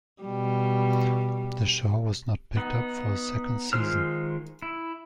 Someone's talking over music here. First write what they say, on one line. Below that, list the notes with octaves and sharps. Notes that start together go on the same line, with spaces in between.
The show was not picked up for a second season.
B2 G3
B3 D#4
D#3 G#3 F4 C5 F6
E4